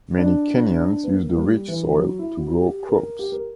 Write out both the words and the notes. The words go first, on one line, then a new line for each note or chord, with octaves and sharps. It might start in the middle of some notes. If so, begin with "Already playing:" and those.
Many Kenyans use the rich soil to grow crops.
D4
D4
B3
A#3
A#3
G3
E3
F#3
E4
F#4
G4
A#4
G4
A#4